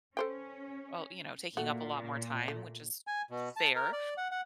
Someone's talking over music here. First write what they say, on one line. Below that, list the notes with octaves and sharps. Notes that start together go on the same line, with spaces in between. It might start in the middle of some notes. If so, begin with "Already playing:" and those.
oh, you know, taking up a lot more time, which is fair,
C#4 A4 C5 G5
A#2 A3 F#4
A3
G#5
B2
A5
A#4
D5
F#5
F#5